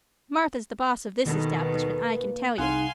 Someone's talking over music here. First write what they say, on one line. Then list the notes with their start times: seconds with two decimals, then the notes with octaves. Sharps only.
Martha's the boss of this establishment I can tell you.
1.26 D#2 B2 D#3 A4
1.57 B4
2.05 A#3
2.58 C2 D#4 G#4 F5 F#5 G#5 C6